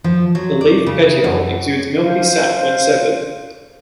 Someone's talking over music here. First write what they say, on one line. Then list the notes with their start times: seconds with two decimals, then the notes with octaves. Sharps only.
The leaf petiole exudes milky sap when severed.
0.04 F3
0.35 F#3
0.61 D5
0.86 C#3
1.24 F#2
2.02 C5 F5